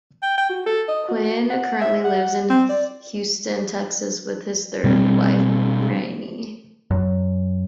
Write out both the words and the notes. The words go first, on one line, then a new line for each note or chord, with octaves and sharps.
Quinn currently lives in Houston, Texas with his third wife, Rennie.
G5
G5
F#4
A4
D#5
F#4
F#5
E5
F#5
C4
D5
B2 G3 C4
F#2